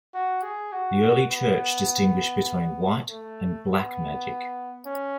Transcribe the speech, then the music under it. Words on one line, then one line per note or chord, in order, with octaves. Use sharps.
The early Church distinguished between "white" and "black" magic.
F#4
G#4
F#4
B3
A3
B3
C#4